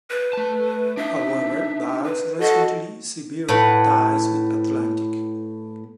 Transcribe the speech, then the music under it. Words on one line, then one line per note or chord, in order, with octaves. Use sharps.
However, Vaux recently severed ties with Atlantic.
B4
A3 A5
D4 D#4 E5
B4
F#4 A4 D#5
A2 B4 F#5